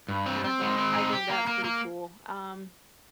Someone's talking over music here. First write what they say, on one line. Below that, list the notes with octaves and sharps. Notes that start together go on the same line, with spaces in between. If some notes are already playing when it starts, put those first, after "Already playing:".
and I thought, "I think that's pretty cool." Um,
G2
C4
C4
G#3
C4
D#4
G4
A#3
A#3
A#3